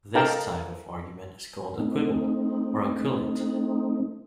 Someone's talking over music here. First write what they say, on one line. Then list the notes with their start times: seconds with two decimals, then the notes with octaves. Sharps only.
This type of argument is called a "quibble" or "quillet".
0.15 D#4 A4 A#4 F5 G5 A5
1.79 A3 C4 D#4